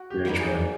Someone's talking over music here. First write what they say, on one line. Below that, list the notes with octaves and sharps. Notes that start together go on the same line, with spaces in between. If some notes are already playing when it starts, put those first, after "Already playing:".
very true.
Already playing: F#4
G4
E3 G3 B3 D#4
G#4